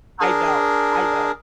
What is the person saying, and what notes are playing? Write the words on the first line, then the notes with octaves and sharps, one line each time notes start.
I know, I know.
D4 G#4 A#4